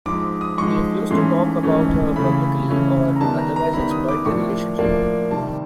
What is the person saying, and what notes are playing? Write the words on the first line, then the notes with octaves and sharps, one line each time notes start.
He refused to talk about her publicly or otherwise exploit their relationship.
G#2 F3 G#3 D6
D#6
G#2 F3 G#3 C#6
G#2 E3 A3 C#4 C6
G#2 E3 A3 C#4
C#3 E3 A3 C#4 E4 B5
C#3 E3 A3 C#4 E4
A#5
D#3 G3 B3 E4 A5
A#5
A#5
D#3 G3 B3 E4 B5
D#6
D6
A2 F3 A#3 D4 C#6
A2 F3 A#3 D4
C3 D#3 G3 A5